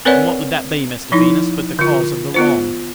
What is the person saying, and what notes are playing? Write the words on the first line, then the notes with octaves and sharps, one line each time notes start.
And what would that be, Mr Venus, but the cause of the wrong?'
C4 A#4 B4 C#5 D5 F#5
F3 D#4 E4
D3 F4
B3 F4 C5